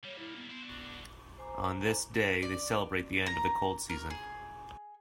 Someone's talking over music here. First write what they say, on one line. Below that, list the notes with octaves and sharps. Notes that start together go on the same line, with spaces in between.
On this day they celebrate the end of the cold season.
G3 A#3 C#5
E4
B3
B3 E4 C5
D4 F#4
C5 G#5 A#5 D6
D5
A#5
A#4
G#4